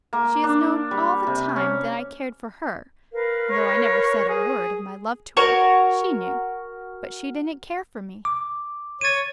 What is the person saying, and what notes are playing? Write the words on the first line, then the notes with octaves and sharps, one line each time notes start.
She has known all the time that I cared for her--though I never said a word of my love to her--she knew, but she didn't care for me.
A#3
D4
G3
C3
C#4
A#4 B4 F5
C#5
G#4
F#4 A#4 C#5
D6
C#5 A6 D#7